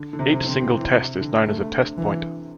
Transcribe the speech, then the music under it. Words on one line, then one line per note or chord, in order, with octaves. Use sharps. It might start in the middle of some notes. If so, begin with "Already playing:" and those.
Each single test is known as a Test Point.
Already playing: D3
D3
C3
C3
D3 C4
E3
E3
C3
D3
A3
E3